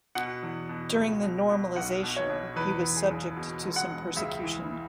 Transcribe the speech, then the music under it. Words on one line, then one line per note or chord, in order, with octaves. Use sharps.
During the Normalization he was subject to some persecution.
B2 F#5
E2
B2
C#2
B2
B2
B1 F#5
B2
C#5
B2
E2 B4
E2
G#4
F#1
B2
E1
F#5
E1
C#2 E5
E3